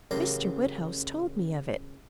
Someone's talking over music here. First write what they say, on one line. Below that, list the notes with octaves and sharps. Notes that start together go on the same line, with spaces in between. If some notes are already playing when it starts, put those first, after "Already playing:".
Mr. Woodhouse told me of it.
A1 C#3 F#3 G4 A#4 C6